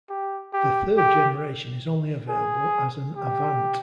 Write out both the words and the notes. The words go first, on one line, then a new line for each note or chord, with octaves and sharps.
The third generation is only available as an Avant.
G4
G4
G4
G#4
G4